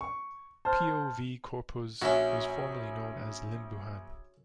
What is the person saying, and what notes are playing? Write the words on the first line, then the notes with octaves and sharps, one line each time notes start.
Pio V. Corpuz was formerly known as Limbuhan.
C#6
C5 A5 F6
A#1 C#4 F#4 E5